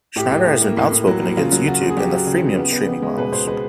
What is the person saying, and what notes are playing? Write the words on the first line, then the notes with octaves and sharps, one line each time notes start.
Schneider has been outspoken against YouTube and the "freemium" streaming models.
A2 G4
A2
A2
A#3
A2
A2
F#3
A#3
C#3 F4
F#3
C#3 F#4
C#3
G#4
F#3 G4
F#3
C#3
C#3
B3
B3
B3
G#3
B2 B4
B2 C5
G#3 B4